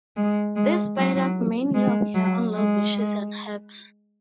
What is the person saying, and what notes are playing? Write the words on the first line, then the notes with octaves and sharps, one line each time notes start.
These spiders mainly occur on low bushes and herbs.
G#3
G#3
F#3
G#3
F#3
G#3